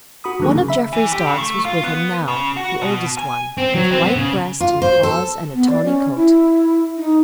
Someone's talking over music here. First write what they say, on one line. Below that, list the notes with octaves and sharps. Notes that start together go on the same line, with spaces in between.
One of Jeffrey's dogs was with him now--the oldest one, with white breast and paws and a tawny coat.
F#4 B5 D#6
D3 D#3 F#3 A#3 G#4
C#3
E5 B5
E3
G4
C#3
A3
F4
B3
C#3
F#4
B2
G#5
C4
F#3
C4
B3
C#3
F4
C5
A4
B3
D5
C#4
E4
D#4